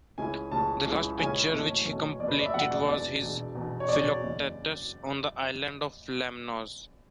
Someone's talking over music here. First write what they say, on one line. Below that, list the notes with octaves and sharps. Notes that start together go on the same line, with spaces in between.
The last picture which he completed was his "Philoctetus on the Island of Lemnos".
C#2 C#3 G#3 C#4 E4 G#5
C#2 C#3 G#3 C#4 E4 A5
C#2 C#3 G#3 C#4 E4
C#2 C#3 G#3 C#4 E4 G#5
F#1 E2 B2 A3 C#4
F#1 E2 B2 A3 C#4
F#1 E2 B2 A3 C#4 D5
B4
D5
E5
F#1 E2 B2 A3 C#4 F#5
D5
E1 E2 B2 D5
E1 E2 B2
E1 E2 B2
C#5
E1 E2 B2 D5
F#1 E2 C#3